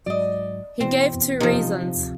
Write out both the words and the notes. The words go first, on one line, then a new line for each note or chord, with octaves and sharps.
He gave two reasons.
G#2 F#3 D5 D#5
B2 E3 C4
C3 F3 D#4